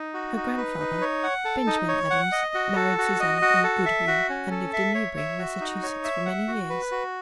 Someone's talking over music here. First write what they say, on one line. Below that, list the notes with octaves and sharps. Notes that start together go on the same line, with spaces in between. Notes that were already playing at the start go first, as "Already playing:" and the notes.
Her grandfather, Benjamin Adams, married Susanna E. Goodhue, and lived in Newbury, Massachusetts, for many years.
Already playing: D#4
F#4
D#4
B4
D#4
C#5
F#5
A4
D#4
C#5
F#5
D#5
F#4
A4
F#4
D#5
F#4
A4
E5
F#4
C#4
A4
E5
C#5
E5
F#4
D#4
C#5
E5
F#5
F#4
B4
F#4